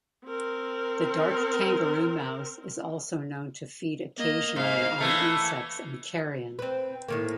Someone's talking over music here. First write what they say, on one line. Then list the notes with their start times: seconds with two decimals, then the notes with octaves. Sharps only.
The dark kangaroo mouse is also known to feed occasionally on insects and carrion.
0.25 C4 A#4
4.18 A#3 D#5
4.56 G#2 A#3 F5
4.99 E3 A3 A#3
6.59 C4 B4
7.08 A2 D#3 A#3